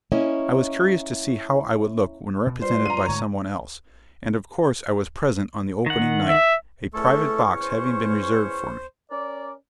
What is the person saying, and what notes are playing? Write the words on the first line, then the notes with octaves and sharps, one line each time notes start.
I was curious to see how I would look when represented by some one else, and of course I was present on the opening night, a private box having been reserved for me.
A#3 C#4 E4 C#5 D#5
B2
G3 F4 B4 C5 D5 C6
A#5 D#7
G#2 D3 A3 C#5
D#3 F#5
E5
E2 A3 C#4 A4 C#6
C5
C#4 A#4 D5